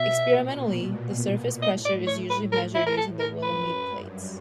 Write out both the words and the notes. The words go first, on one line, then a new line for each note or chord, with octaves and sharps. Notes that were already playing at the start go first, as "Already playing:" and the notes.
Experimentally, the surface pressure is usually measured using the Wilhelmy plate.
Already playing: B2 E5
A#2
A2 D#5
D5
C#5
B4
A#4
E4
A#4
A4
A#4
F#2 B4
G2